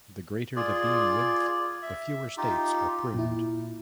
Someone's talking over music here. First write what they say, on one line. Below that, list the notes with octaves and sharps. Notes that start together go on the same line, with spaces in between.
The greater the beam width, the fewer states are pruned.
F4 G#4 D5
E5
D#4 F4 G4
A#2 E4